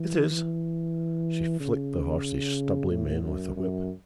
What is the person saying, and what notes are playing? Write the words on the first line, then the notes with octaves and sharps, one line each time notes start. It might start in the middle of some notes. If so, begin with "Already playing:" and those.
"It is." She flicked the horse's stubby mane with the whip.
Already playing: E3
E3
C#3
A2
F#2
F#2